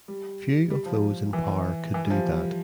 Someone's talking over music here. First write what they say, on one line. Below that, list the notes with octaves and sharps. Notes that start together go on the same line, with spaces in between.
Few of those in power could do that.
G3
G3
F3
E3
E3
G3
F3
G3